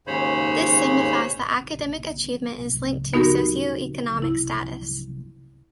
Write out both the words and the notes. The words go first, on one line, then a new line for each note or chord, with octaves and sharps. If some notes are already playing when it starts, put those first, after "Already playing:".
This signifies that academic achievement is linked to socioeconomic status.
D#2 G#2 C#3 C5 C#5 B5
B3 D#4 F#4 G4 A#4
E4